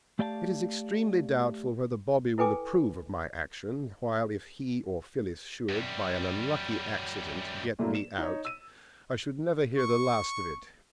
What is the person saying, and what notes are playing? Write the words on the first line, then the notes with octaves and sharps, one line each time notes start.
It is extremely doubtful whether Bobby will approve of my action, while if he or Phyllis should, by an unlucky accident, get me out, I should never hear the last of it.
A3 G4 D5 F5 G5 A5
E4 A4 B4 G5 G#5 D6
F#2 G3
A#2 F#3 A3 A#3 E4
E7
D#4 C#5
E6 D#7
C#6